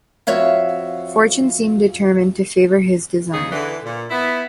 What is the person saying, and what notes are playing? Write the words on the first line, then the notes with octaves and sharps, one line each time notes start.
Fortune seemed determined to favour his design.
F2 F#4 C#5 E5 F5
E2 C#3 D#4 G#4
D3 E3
A#2
B3 E4